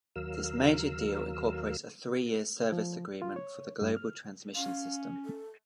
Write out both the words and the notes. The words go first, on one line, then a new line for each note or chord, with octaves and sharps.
This major deal incorporates a three-year service agreement for the global transmission system.
D#2 F#3 A#4 F5 E6
F3
F4
C#5
G2
F6
C#4 F5
A4